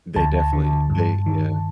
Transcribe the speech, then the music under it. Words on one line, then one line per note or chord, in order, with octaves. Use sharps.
They definitely they Yeah.
D2 A5
D3
G2
D#3